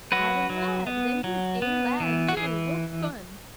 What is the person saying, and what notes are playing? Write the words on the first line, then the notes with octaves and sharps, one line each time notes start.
"Adam Ladd! then he's A. Ladd, too; what fun!"
F#3 F#4 B4
F#3
B3
F#3
B3
E3
F#4
E3 G#4